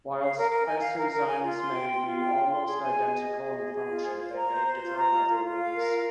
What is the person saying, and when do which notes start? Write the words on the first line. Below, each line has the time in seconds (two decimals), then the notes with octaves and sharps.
Whilst isozymes may be almost identical in function, they may differ in other ways.
0.20 F5
0.35 A#4
0.50 A#4
0.66 G#5
0.81 F5
0.97 A#4
1.12 A#4
1.28 G#5
1.42 F4
1.58 C6
1.73 G5
1.89 C6
2.05 F4
2.19 G5
2.35 F4
2.50 C6
2.66 G#4
2.82 G#5
2.96 G#4
3.12 D#5
3.28 G#4
3.43 D#5
3.57 G#4
3.73 G#4
3.89 F4
4.04 C5
4.20 F4
4.35 A#5
4.50 C5
4.66 C5
4.81 F4
4.97 A#5
5.12 F4
5.27 F4
5.43 F4
5.58 F5
5.73 A#4
5.89 F4